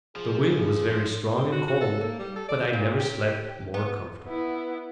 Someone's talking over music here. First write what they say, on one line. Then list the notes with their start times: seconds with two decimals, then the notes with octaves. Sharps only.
The wind was very strong and cold, but I never slept more comfortably.
0.16 F3 G#4
1.37 C4
1.52 F#4
1.68 F#4
1.81 A4
2.00 A#3
2.19 G3
2.36 A4
2.49 D5
2.73 A#2
3.00 G4
3.74 B3
4.26 B3 E4